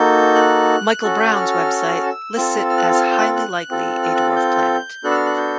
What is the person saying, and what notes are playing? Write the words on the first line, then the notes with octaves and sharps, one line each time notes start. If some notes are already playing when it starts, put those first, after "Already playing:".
Michael Brown's website lists it as highly likely a dwarf planet.
Already playing: A#3 D#4 F#4 A4 G6
F#6
C#4 F#4 A4
F6
E6
C4 F4 A4
F6
F#6
F6
G6
F#6
F#6
C4 F4 A4
F6
F#6
G6
B3 D4 F#4 A4 F#6
E6
F6
F#6
G6